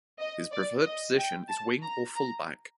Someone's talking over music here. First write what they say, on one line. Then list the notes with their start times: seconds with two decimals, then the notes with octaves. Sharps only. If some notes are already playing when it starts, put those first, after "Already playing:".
His preferred position is wing or Fullback.
0.19 D#5
0.52 D5
0.85 D#5
1.18 G5
1.49 A5
1.82 A#5
2.15 A#5